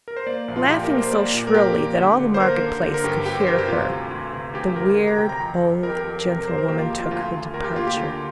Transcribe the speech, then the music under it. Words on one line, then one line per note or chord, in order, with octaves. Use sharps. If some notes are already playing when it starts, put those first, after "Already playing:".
Laughing so shrilly that all the market-place could hear her, the weird old gentlewoman took her departure.
A#4
C5
A#3 D5
A#1
F4
A#2 G4
A#4
A#3
C5
A#3 D5
A#2
A#4
A#3 G4
A#3
D3
D3
C5
A#3 A#4
D3
D3
A#4
G2 G4
G2 G4
C5
G2 A#4
G4
C3 F4
D2
D2
C3
D2 G4
D2 A#4
D2
A#5
C3 G5
A#5
F2 G5
F2
F2 A#4
G4
A#4
F2
A#4
C3 G4
A#4
F2 C5
A#4
A#3 G4
F4
F2 G4
F4
D2 F4
D2
D2 A#4
G4
A#3 F4
G4
D3